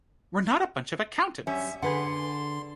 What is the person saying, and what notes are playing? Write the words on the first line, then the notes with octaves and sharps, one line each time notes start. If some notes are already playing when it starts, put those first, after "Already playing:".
We're not a bunch of accountants!
F#2 G3 C#4 E5
D3 G#4 B4 F#5 C6